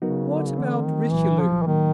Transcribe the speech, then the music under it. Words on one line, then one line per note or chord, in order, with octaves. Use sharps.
"What about Richelieu?"
C#3 F#3 B3 D#4 F#4 A#4
D3
C#3
D3 E3 A3 C4
D#3
C2 A#2 E3 F#3
F3
E3
A2 D#3 F#3 A#3